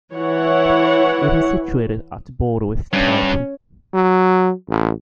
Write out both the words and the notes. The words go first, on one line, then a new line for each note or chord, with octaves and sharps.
It is situated at the border with Turkey.
E3 E4 C#5 F#5
G2 C#4
F#3
A1